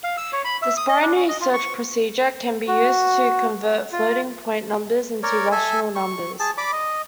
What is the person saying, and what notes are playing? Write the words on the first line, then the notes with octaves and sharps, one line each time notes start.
This binary search procedure can be used to convert floating-point numbers into rational numbers.
F5
E6
C#5
B5
E5
D#6
D#5
D4
C#4
D#5
F4
C#6
F#4
F4
A#4 C#5 D5
A4 E5 G#5
C#6
G#4 A5
D5 B5 D6
D#5